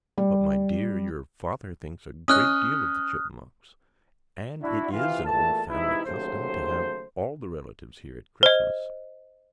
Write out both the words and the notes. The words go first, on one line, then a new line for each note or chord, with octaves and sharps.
"But, my dear, your father thinks a great deal of the Chipmunks; and it is an old family custom to have all the relatives here at Christmas."
G3
C#4 D#5 D#6 F6 F#6
D4 E4 F#4
C3 E3 F4 F5
E2 A#2 E3 A3 A5
C3 E3 G#3 D#4 E4
D#2 C#3 F#3 A3 C5
C5 D#5